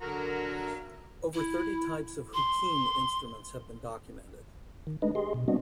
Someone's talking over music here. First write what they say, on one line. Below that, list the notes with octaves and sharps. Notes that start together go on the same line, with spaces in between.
Over thirty types of "huqin" instruments have been documented.
D3 F#3 F#4 A#4 A#5
E4
C6
D#3
G#3 A3 D4 D#4 B4 D#5
G4 G#4 D#5 C6
B2
G3 B3 C4 D4 F#4 D#5